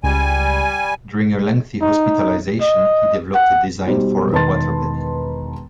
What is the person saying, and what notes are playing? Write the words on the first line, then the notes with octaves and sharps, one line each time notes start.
During a lengthy hospitalization, he developed a design for a waterbed.
C#2 G3 G#5
D#4
D#5
F#5
B2 G3 D#4 C5
E1 D#3 B4 A5 C6 A6